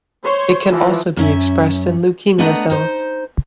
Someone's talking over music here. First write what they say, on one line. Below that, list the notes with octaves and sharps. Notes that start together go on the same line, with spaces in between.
It can also be expressed in leukemia cells.
C5 C#5
E3 F3
F#2 C#4 E5
A3 B3 D4 D#5 F#5 A#5
D#4 C5